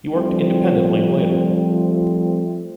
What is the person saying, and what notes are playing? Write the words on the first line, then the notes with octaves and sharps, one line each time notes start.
He worked independently later.
F3 G3 A3 C4